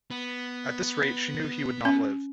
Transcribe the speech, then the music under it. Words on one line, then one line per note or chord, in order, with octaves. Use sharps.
At this rate she knew he would not live.
B3
C#4